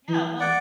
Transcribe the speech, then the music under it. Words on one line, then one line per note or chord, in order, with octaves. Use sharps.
Yeah, it was.
E3
D5 F#5